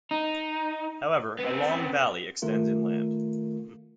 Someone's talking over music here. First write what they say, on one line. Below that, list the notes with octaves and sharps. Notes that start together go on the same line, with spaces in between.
However, a long valley extends inland.
D#4
B3 C4
D#3 A3 F4 A#4